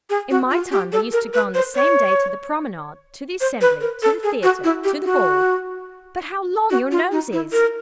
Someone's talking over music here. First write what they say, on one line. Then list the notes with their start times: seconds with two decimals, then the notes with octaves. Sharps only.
In my time they used to go on the same day to the promenade, to the assembly, to the theater, to the ball--But how long your nose is!
0.10 G#4
0.30 F#4
0.51 F4
0.72 G4
0.92 A4
1.13 A#4
1.34 B4
1.54 C5
1.75 C#5
3.41 C5
3.61 B4
3.81 A#4
4.03 A4
4.23 G#4
4.43 F#4
4.64 E4
4.84 G4
5.05 F#4
6.70 F#4
6.92 F4
7.12 D#4
7.33 E4
7.52 A#4